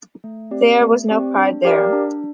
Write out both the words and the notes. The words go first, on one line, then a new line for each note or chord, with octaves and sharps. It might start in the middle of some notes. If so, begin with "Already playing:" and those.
There was no pride there...
A3
C4 G4 D5
A3
C4 G4 D5
D4
G4 A#4 D5 F5
D4